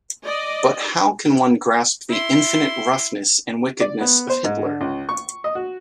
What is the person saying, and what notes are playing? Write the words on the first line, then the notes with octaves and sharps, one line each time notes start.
But how can one grasp the infinite roughness and wickedness of Hitler?
D5 D#5
E4 C6
D5
B3
C5
G#2
D3
C#2
C#6
D#5
F#4